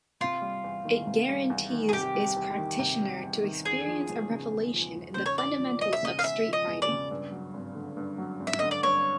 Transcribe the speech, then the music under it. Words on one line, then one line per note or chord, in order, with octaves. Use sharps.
It guarantees its practitioner to experience a revelation in the fundamentals of street fighting.
C3 F4
G3
E2
D#3
C3
G3
E2
D#3
G#4
C3 G4
G3
E2
D#3
C3
G3
E2
D#3
E2 G#4
F3
E1
C#3
E2
F3
E1
C#3 C5
C#5
E2 D5
F3
E1 D#5
E5
C#3 D#5
F5
E2 E5
F3
D#5
E1
D5
C#3
G2
F#3
G#1
D3
G2
F#3
G#1
E5
D3 D#5
D5
G2 C#5